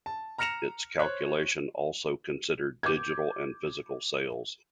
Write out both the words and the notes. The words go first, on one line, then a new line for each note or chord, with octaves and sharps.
Its calculation also considered digital and physical sales.
A5
A#5 F6 A#6 C#7 E7 F7
C5 C#5 F#6
D6 G6 G#6